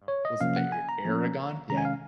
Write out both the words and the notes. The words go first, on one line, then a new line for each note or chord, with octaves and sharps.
Oh, was it the E Eragon? Yeah.
C#5
D#5
C3 F3 A#3 C#4 F5
F#5
G#5
A#5
F3 A#3 C#4
C3 D#3 G#3 C#4 A#5
G#5
F5